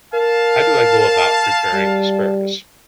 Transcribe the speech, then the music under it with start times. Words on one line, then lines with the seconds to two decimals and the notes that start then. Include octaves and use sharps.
How do I go about preparing asparagus?
0.14 A#4 F5 A5
1.73 G3